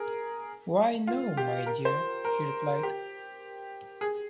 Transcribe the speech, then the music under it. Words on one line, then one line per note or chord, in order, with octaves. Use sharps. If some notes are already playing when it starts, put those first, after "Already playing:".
"Why, no, my dear," he replied.
Already playing: G#4 A#4
F4
G4
A#4
C5
A#4
G4
G#4